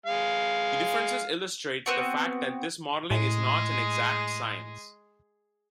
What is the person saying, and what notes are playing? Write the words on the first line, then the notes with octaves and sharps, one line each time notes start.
The differences illustrate the fact that this modelling is not an exact science.
G#3 F5
B3 C4 F#4
A2 G#3 G#4